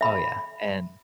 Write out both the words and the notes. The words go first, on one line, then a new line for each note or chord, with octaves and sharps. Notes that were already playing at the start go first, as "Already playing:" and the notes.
Oh yeah, and
E5 B5